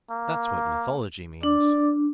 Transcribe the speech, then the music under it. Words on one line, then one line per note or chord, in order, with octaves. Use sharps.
That's what mythology means.
A#3
D4 D5